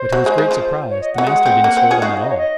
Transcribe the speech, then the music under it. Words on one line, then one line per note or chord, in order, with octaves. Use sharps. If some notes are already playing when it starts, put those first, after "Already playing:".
But to his great surprise the master didn't scold at all.
Already playing: C5
F#3
G#3
G#3
F3
C#5
D#5
F#5
F#3
G#3 F#5
C4
A#3
C4
F4 G#4
F#5
D#4 F#4 F5
D#5
C#5
D#5